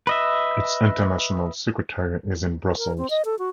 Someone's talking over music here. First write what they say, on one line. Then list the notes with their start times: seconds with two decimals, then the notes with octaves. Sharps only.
Its International Secretariat is in Brussels.
0.07 B4 D#5 E5
2.78 A#4
2.98 C4
3.10 D#5
3.25 A4
3.39 F#4